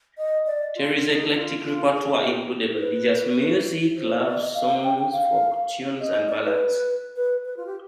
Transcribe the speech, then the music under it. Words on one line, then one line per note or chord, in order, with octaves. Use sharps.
Terri's eclectic repertoire included religious music, love songs, folk tunes and ballads.
D#5
D5
F4
D#4
F4
F4
G#4
G4
G4
C5
B4
C5
D5
D#5
F5
G5
G5
F5
D#5
D5
B4
B4
B4
F4
G4